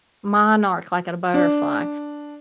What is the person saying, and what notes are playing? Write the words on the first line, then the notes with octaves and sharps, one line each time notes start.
Monarch, like in a butterfly.
D4